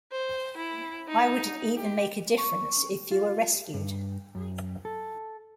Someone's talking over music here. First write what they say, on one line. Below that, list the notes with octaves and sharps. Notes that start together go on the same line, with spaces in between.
Why would it even make a difference if you are rescued?
C5
E4
D#4
G4
C#6
F4
G2
F#2
A4